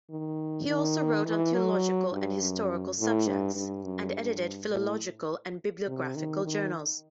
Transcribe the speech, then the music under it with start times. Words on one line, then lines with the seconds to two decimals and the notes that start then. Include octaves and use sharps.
He also wrote on theological and historical subjects, and edited philological and bibliographical journals.
0.10 D#3
0.68 D#3
1.25 E3
1.54 F#3
2.12 G2
2.41 F#2
2.99 A2
3.27 G2
3.56 G2
3.84 F#2
4.13 G2
4.72 A2
5.87 C3
6.16 D#3
6.45 D#3